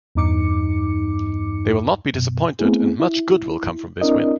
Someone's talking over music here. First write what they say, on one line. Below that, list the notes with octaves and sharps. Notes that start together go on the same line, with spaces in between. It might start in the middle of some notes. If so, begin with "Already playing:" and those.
They will not be disappointed and much good will come from this win.
E2 G2 D#4 D6 C#7
F#2 B2
A3 B3 C4 E4 G#4
E4
C4 D4 E4 A#4 D5 D#5